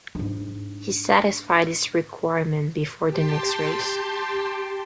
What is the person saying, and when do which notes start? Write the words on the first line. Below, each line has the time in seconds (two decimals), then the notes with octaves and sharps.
He satisfied this requirement before the next race.
0.15 G#2 D4
3.07 G4 G5 A5 C6